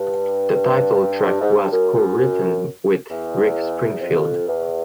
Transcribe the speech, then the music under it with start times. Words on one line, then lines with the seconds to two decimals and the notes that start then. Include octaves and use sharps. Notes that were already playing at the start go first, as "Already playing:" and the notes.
The title track was co-written with Rick Springfield.
Already playing: G2
1.25 G2
1.40 G#2
1.56 G2
1.71 F#2
1.94 F#2
3.09 E2
4.01 F2
4.47 E2